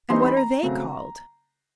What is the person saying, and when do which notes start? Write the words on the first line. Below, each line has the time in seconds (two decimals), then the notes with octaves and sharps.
"And what are they called?"
0.10 E3 G3 C4 D#4 C6
0.26 B5
0.37 A#5
0.63 C#3 F#3 A3 C4